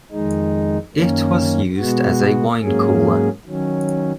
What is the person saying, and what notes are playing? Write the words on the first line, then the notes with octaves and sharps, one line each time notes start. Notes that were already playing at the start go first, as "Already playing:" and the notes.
It was used as a wine cooler.
F2 D#3 G#3 D#4
F#2 D#3 A#3 C#4
B2 G#3 B3 F#4
G#2 F#3 A#3 C#4 G#4
D#3 F#3 C#4